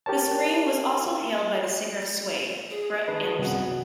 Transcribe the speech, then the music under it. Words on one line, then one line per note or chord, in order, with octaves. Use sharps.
"The Scream" was also hailed by the singer of Suede, Brett Anderson.
G4 A#4 C#5 A5
G#4
D#3 D#4 B4 A5
C2 F#2 B2 F#5